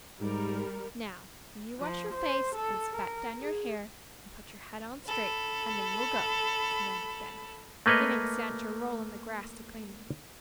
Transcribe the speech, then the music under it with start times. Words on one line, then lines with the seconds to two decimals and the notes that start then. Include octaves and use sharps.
"Now, you wash your face and spat down your hair, and put your hat on straight, and then we'll go," commanded Ben, giving Sanch a roll on the grass to clean him.
0.21 G#2 G3 A#4
1.79 F3
2.14 C5
2.55 A4
2.92 A#4
3.40 G#4
5.07 A4 B5
7.86 A3 A#3 B4 C#5 D#5